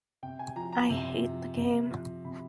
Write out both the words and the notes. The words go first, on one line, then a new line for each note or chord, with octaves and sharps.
I hate the game.
C3 G5
G#5
F3 A#5
A#5
C3
F3
C3
F3
C3 B5